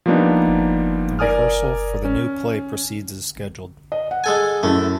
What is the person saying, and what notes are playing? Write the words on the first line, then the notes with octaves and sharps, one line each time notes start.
The rehearsal for the new play proceeds as scheduled.
F3 G3 A#3 B3 D4 D#4
A#4 D5 G#5 D#6 F6
C#4
D#5
F#5
G#3 A4 G#5
F#2 A3 E4